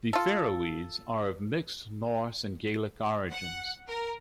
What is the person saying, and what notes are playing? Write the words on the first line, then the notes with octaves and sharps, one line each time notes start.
The Faroese are of mixed Norse and Gaelic origins.
F4 A4
F#5
A#4